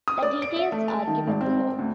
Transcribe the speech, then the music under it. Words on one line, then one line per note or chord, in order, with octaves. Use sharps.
The details are given below.
D#6
D5
D7
E5
A3
A5
D#3
G#1
C4
D2